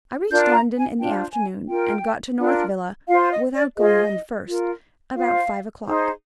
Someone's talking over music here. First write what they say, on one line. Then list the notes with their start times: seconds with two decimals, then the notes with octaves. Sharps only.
I reached London in the afternoon; and got to North Villa--without going home first--about five o'clock.
0.29 D4 F4 A#4 G6
0.53 A#5
0.77 G#5
0.99 D4 F4 C5 G5
1.33 G#5
1.68 F4 A#4 G5
2.38 D4 F4 A#4
3.08 F4 F5
3.11 C5
3.30 D#5
3.53 D5
3.77 F4 G#4 C5 D#5
4.46 F4 A#4
5.15 F4 C5 F5
5.85 D#4 G#4 C5